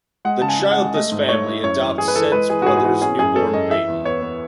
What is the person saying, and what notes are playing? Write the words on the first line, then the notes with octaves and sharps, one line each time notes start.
The childless family adopts Said’s brother’s newborn baby.
G#3 F#5
C#3 A5
G#5
C#3
F#5
G#3
A3 D#5
G#2
A3 C#5
E4
F#2 C#5
E3
E3 G#4
B4
E3 A4
G#3 B4
E3 G#4
F#4
G#2 G#4
G#4
E3 F#4
C#4 G#4
F#2 G#4
C#4 A4
F#2 D#5
E3 E5
E2
B3 C#5
B3